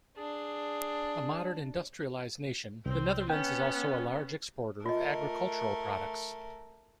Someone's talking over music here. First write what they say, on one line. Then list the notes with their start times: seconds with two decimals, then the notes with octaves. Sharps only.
A modern, industrialised nation, the Netherlands is also a large exporter of agricultural products.
0.17 D4 G#4
2.86 C2 C4
3.30 B3 C#4 G5
4.86 A3 F4 A#4 D#5